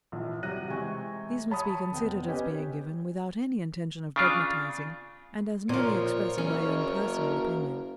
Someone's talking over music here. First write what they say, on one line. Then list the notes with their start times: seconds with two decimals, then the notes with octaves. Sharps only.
These must be considered as being given without any intention of dogmatizing, and as merely expressing my own personal opinion.
0.12 A#1 E3
0.43 C3 F#3 G3 F#6 A#6 D#7
0.68 C3 E3 G#3 G5 G#5 C#6
1.50 C#5 A5 B5 D#6
1.92 F1 B3 G5
2.28 C#4 G4 B4 D#5 G5 G#5
4.16 C#3 D4 F4
5.69 A#2 F3 A#4 C#5
6.38 F#1 C#4